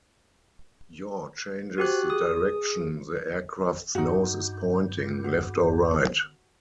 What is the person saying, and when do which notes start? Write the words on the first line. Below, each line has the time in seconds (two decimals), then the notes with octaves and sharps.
Yaw changes the direction the aircraft's nose is pointing, left or right.
1.78 F#4 G4 C5 F#6
2.10 G#4 D#6
3.95 G2 D#4 F#4
5.24 F#4